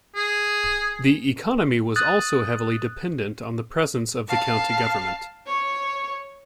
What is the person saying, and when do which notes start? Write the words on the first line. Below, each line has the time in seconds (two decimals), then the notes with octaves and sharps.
The economy was also heavily dependent on the presence of the county government.
0.15 G#4
1.96 D#6 F#6 A6
4.28 F5 A5
5.46 C#5